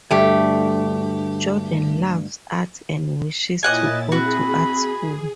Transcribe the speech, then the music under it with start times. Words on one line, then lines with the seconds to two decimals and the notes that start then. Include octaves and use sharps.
Jordan loves art and wishes to go to art school.
0.11 D2 G2 A3 G4
3.63 A#2 E4 C#5 D#5 F#5 G#5 A6
4.12 C4 F#4 G#4 B5